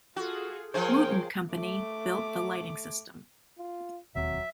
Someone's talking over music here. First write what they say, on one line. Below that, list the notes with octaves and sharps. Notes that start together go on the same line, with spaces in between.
Wooten company built the lighting system.
F4 F#4 G#4 A4
F3 G#4 A#4 C5 C#5 G5
A3 D6
F4
E1 D#2 F#3 C4 E5